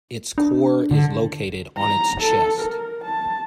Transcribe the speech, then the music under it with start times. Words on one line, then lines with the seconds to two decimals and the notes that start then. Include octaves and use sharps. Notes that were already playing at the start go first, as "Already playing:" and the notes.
Its core is located on its chest.
0.38 D4
0.91 D3
1.78 A#5
2.20 A4
2.60 A#4
3.04 A5